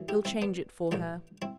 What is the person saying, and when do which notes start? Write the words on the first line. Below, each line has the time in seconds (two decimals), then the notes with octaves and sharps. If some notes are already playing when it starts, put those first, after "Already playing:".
He'll change it for her.'
Already playing: F#2 E3
0.09 E4 G4
0.25 C4 E4
0.42 B3 D4
0.91 A1 A2 E3 B3 D4
1.42 C4 E4